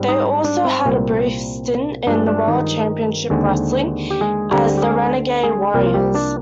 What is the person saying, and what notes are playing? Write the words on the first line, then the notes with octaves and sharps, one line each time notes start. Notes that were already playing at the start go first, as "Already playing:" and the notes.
They also had a brief stint in World Championship Wrestling as "The Renegade Warriors".
Already playing: G#2 G3 C4
D#4 D#5
D4
C4
C2 A#2 G3 A#3
G2 F3 G#3 C4 D4
D4
D#3 D#4
D#2 D3 G#3 C4
G4
G#3 G#4
D2 D3 G3 G#3 C4 G4
G4
G#3 G#4
G#3 G#4
C2 C3 F3 A#3 A#4
F4
G3 G4
D4 D5